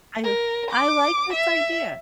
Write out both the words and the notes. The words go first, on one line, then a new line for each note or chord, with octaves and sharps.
I I like this idea.
A#4
D6
E5